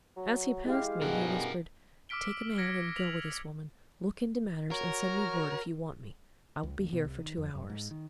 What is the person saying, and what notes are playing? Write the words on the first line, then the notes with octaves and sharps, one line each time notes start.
As he passed me, he whispered, "Take a man and go with this woman; look into matters and send me word if you want me; I will be here for two hours."
F#3
G#3 E4 G4 F5
G2 B2 G#4 A#4 F#5
D6 E6 F6 B6 D7 G7
F6 G#6 A#6 B6 C#7 D7
B6 F7 F#7
F#4 A#4 C#5 A#5
C#2
D2
B2
C2
D#3
F2
F#2
G#2
D#3